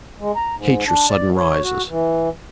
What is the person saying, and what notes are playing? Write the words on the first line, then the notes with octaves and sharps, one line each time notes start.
I hate your sudden rises.
G#3
A#5
G#2
D4
D5
C#5
F#4
E3